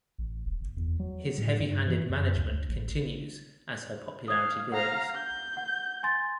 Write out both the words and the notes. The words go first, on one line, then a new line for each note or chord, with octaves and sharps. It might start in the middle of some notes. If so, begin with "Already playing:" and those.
His heavy-handed management continues as her popularity grows.
A1
E1
F#1
E2
F#3
A2
G2
E3
F#2
D2
D2
A1
F5 D#6 G#6
F5 F#5 A#5
G6
F#5
G#5 C6 A6